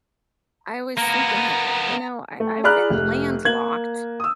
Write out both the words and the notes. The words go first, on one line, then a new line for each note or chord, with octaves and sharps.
I was thinking, like, you know, I I've been landlocked
A#3 B3 A#5
A3
G#4 D5 A#5 B5 F6 F#6
F1
A#3 G#6 F#7
D#6 E6